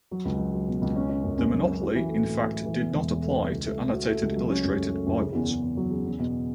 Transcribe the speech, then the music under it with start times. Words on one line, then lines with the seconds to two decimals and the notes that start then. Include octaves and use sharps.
The monopoly in fact did not apply to annotated or illustrated Bibles.
0.11 F#3
0.25 C#2
0.39 F#3
0.53 F#3
0.67 B2
0.82 C#2
0.96 C#4
1.09 C#4
1.24 F#2
1.38 F#2
1.52 F#3
1.67 C#4
1.81 F#4
1.95 E3
2.09 A3
2.23 A2
2.37 A3
2.51 A3
2.65 E3
2.80 E2
2.95 E1
3.08 E2
3.22 A3
3.37 A3
3.51 C#2
3.65 A3
3.79 A3
3.93 F#4
4.07 A3
4.22 C#2
4.36 F#3
4.49 C#4
4.64 F#2
4.78 A3
4.93 A3
5.06 F#2
5.21 C#3
5.35 E2
5.49 C#3
5.63 E2
5.77 F#3
5.91 C#3
6.05 E2
6.19 B2